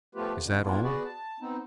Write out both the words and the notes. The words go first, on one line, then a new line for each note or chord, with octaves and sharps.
"Is that all?"
F3 A3 B3 F4 G4 B4
F#2 B2 D3
A#3 B3 D4 E4 F4
B3 F#4 G#4 B4 D5
A5
B3 C4 D#4